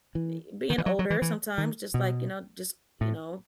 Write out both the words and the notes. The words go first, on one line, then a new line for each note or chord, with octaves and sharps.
be being older sometimes just, like you know, just you know,
E3
D#3
E3
F#3
F#3
E3
E3
D#3
B2
A2